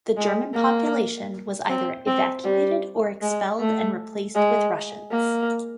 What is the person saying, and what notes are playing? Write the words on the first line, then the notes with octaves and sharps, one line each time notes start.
The German population was either evacuated or expelled and replaced with Russians.
G#3
A#3
C4
C4
G3
G#3
A3
G#3
A#3